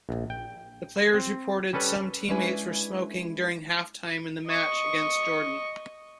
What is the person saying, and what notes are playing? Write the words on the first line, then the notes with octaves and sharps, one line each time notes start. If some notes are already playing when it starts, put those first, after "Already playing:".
The players reported some teammates were smoking during halftime in the match against Jordan.
A#1
G5
C4
G3 C#4 A4 B4
G#3 C#4 D4 E4 B4 G#5
D#5 C#6